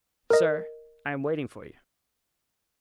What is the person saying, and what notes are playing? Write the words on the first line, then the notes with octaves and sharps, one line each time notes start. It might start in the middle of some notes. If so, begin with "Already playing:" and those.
"Sir, I am waiting for you."
A#4 D#5